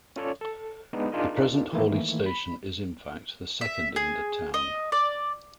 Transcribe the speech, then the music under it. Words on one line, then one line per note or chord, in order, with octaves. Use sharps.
The present Horley station is in fact the second in the town.
C#4 F4 A4 C#5 D5
A4
G#3 B3 D4 D#4
D4 D#4 F4 G#4 A#4 D#5
D#3 E3 A3 A#3 E4
B5
E5
G#4
D#5
D5